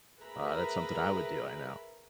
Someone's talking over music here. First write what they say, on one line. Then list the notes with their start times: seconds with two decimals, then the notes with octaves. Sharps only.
Uh, that's something I would do, I know.
0.21 G#4 A#4 B4 E5 A#5 B5